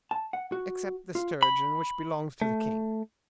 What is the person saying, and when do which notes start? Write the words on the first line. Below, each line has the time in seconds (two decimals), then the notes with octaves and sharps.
"Except the sturgeon, which belongs to the king."
0.11 A5
0.33 F#5
0.52 F#4
1.15 F4
1.43 B5
2.41 A3